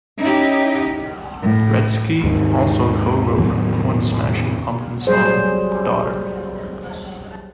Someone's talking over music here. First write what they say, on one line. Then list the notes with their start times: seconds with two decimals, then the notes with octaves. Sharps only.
Wretzky also co-wrote one Smashing Pumpkins song, "Daughter".
0.20 C#4 D#4 E4 G4
1.42 A2
2.24 D#2 G#2 D#3
3.37 E2 A2 D#3 F#3
5.07 F#3 G3 G#4 C5